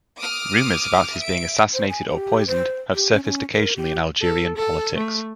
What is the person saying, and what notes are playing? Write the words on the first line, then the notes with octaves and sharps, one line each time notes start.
Rumors about his being assassinated or poisoned have surfaced occasionally in Algerian politics.
D6 D#6 F6
E5 D7
C5
G#5
G4
C5
G4
C#4
C#4
A#4
G4
A4
A4
A3